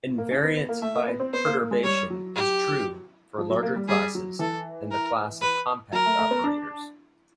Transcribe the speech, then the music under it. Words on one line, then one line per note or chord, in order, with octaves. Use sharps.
Invariance by perturbation is true for larger classes than the class of compact operators.
A#3
C#4
B3
B3
A#3
A3 E5
A#3
B3
C4
B3 C5
A#3
A#3
G#3
G3 C#5
F#3
G4
F3
F#3
A#3
G3
G3 G#4
F#3
E3 A4
A#4
B4
F#3 A#4
A3
A3
B3
D4